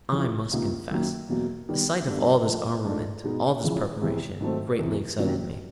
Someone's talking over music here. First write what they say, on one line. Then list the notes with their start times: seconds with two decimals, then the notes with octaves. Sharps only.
I must confess the sight of all this armament, all this preparation, greatly excited me.
0.12 F2 C#3 E3
0.52 C#2 C3 F3 A#3 D#4
0.91 F#2 D#3 F#3 A#3
1.29 E2 B2 F#3 A#3
1.69 D#3 G3 B3
2.07 G2 D3 G3 B3
2.45 A#2 F3 A3
2.85 G#2 F3 A3 D4
3.24 B2 G#3 B3 D#4
3.63 F2 C#3 E3 G#3
4.02 E2 C3 E3 G#3
4.41 G#2 D#3 F#3 A3 C4
4.79 E2 C3 E3
5.18 C3 D#3 F#3 A#3 C#4